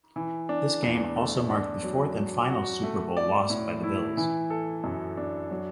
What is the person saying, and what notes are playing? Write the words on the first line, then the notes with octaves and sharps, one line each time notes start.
This game also marked the fourth and final Super Bowl loss by the Bills.
E3
D4
E2
A3
D4
F#3
F#3
F#4
A3
D5
A2
E4
E3
A4
F#2
D4
F#3